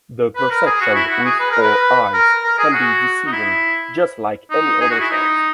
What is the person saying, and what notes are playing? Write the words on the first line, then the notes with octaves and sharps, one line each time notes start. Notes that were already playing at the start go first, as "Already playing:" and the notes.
The perception with our eyes can be deceiving just like any other sense.
B4
A#4
G#4
F#4
E4
F#4
G#4
B4
A#4
B4
A#4
A#4
G#4
F#4
D#4
E4
D#4
G#4
F#4
E4
D#4